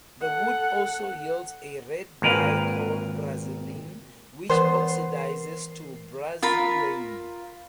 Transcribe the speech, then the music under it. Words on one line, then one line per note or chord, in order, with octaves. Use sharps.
The wood also yields a red dye called brazilin, which oxidizes to brazilein.
A4 F#5
G#1 A#2 A#4 B4 F5
E3 B3 A#4 C5 C7
F4 A#4 B5